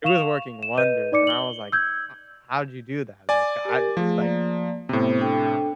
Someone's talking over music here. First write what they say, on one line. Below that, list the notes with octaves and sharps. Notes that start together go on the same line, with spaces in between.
It was working wonders, and I was like, "H how'd you do that? Like, I it's like,
F5 C#6 E7 F7
E7
B4 D#5 G6 D#7
D#4 D5 D6 C#7
F#7 G7
E6 G6 G#6
D5 G#5
G4 A#4
F3 A3 G#4
A#3 D5
A2 C3 B3 C5
D4 A4 G5